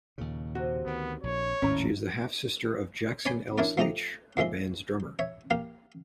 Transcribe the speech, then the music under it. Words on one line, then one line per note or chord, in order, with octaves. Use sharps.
She is the half-sister of Jackson Ellis-Leach, her band's drummer.
D#2 A#2 C#3
C3 F#4
D2 D#3 B3
A#1 C#5
G#1 D#2 A2 C#4 E4 A#5
C#5 D5 G#5 B5 C6
D4 E4 A#4 C#5 D5
F3 A3 G4 D#5 A#5
D#2 F3 G#3 E5 C6
C#5 E5
A#3 G4 F5